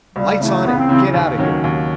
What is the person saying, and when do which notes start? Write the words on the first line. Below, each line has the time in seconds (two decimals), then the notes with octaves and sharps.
"Lights on and get out of here!"
0.15 C#2 G3
0.40 C#3 E3 A3
0.65 C#2 B3
0.77 C4
0.89 C#3 E3 C4
1.14 D#2
1.38 D#3 F#3 A#3 C#4
1.64 D#2